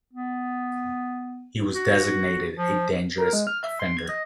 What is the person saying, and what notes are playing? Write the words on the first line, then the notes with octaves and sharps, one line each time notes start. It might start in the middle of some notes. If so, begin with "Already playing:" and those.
He was designated a dangerous offender.
B3
F#4
F3
A#4
G#3
F6
E5
C6
G#6
D#5